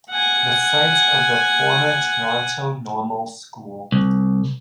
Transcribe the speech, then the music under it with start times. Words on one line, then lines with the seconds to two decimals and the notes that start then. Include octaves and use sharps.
The site of the former Toronto Normal School.
0.11 F#5 G#5
3.92 C2